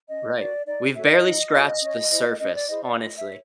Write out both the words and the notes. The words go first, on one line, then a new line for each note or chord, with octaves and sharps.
Right, we've barely scratched the surface, honestly.
C#4 D#5
F#4 A#4 C#5 D5
D#4 D5
F#4 A4 C#5 E5
D#5
D#4
F#4 A4 C#5
C#4
E4 G#4 C5
C#4 D#5
D5
E4 G#4 C5 D#5
D5
F4 D#5
E5
C#5